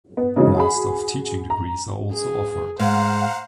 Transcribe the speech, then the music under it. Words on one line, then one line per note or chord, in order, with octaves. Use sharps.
Master of Teaching degrees are also offered.
B3
C#3 E3 F#3 G#3 C4 D#4
F#4 G#4 B5
A#5
G#4
G#2 C5 F5 F#5 A#5